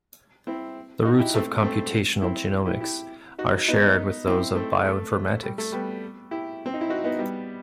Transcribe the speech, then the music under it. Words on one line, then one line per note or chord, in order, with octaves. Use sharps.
The roots of computational genomics are shared with those of bioinformatics.
C4 E4
D#4 F#4
E4 G4
A3 C4
A3 C4
C4 E4
E4 G4
E4 G4
D#4 F#4
B3 D#4
C4 E4
A3 C4
A3
G3
A3
G3 B3
E4 G4
C4
D#4
E4
D#4 F#4
B3 D#4
G3 B3